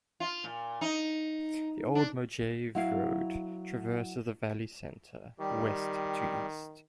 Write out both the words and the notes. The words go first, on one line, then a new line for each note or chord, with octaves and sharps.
The Old Mojave Road traverses the valley center, west to east.
F4
A#2
D#4
D4
F#3 E4 F5
D#3 G3 G4